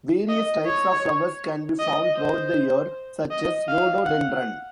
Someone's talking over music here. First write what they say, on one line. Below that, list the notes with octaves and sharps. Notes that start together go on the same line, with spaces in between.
Various types of flowers can be found throughout the year, such as Rhododendron.
D#5
C#5
D#5
C5
D#5
F5
F#5